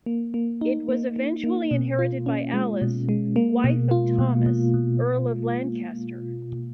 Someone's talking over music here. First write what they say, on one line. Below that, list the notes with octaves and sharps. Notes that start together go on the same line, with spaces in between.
It was eventually inherited by Alice, wife of Thomas, Earl of Lancaster.
A#3
A#3
D#4
A#3
A#3
A#3
B2
F4
C#4
G#3
B2
G#3
A#3
B2
F4
B2
B2
B2